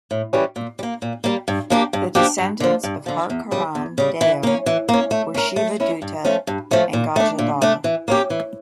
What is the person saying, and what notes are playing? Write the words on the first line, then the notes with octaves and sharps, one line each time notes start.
The descendants of Harkaran Deo were Shivadutta and Gajadhar.
A2
E3 G3 C#4
A#2
G3
A#3
A#2
G3 A#3
G2
F3 A#3 D4 G4
G2
F3 A#3 D4 G4
G2
D3 F3
G2
D3 F3
E2
C#3 G3
E2
C#3 G3
E3
A#3 C#4
E3
A#3 C#4
A3
C#4 E4 A#4
A3
C#4 E4 A#4
G2
F3 A3 C#4
G2
F3 A3 C#4
A#2
A3 D4
A#2
A3 D4
E3
A#3 C#4 G4
E3